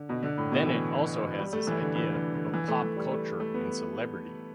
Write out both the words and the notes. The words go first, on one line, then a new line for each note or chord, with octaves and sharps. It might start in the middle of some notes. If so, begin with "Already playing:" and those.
Then it also has this idea of pop culture and celebrity.
Already playing: D3
B2
D3
A2
B2
E3
G3
A3
E3
D3
E3
D3
D3
E3
A3
E3
G3
A3
A3
B3